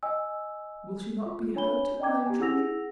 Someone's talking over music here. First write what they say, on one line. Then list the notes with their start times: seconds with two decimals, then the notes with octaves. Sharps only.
"Will she not be hurt at my intrusion?"
0.03 D#5 G#5 E6
1.26 F4
1.55 D4 C#5 G#5 B5 G7
2.00 D5 D#5 G5 A#5 D6 G#6
2.26 G4 G#5
2.40 E4 G#4 F#5 E6 A#6 F7